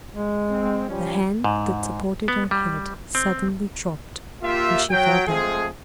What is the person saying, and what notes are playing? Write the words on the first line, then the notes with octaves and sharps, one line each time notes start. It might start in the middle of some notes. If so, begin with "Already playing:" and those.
The hand that supported her head suddenly dropped, and she fell back.
G#3
C4
F3 G3 C#4
G#2
B3
G3
C4
A#3 F4 G4 E5
F#3 G5
F3 G#3 A3 C4 G#4